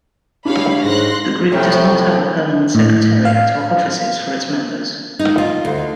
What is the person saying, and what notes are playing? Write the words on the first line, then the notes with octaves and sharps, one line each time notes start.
The group does not have a permanent secretariat, or offices for its members.
D4 G4 C#5 F5 B5
G#2 C6 F#6 A#6
A2 C3
A2
F5
D#4
F4
D2